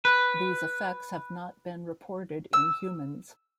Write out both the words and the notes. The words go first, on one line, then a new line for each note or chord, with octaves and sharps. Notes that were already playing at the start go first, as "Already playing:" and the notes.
These effects have not been reported in humans.
B4
E6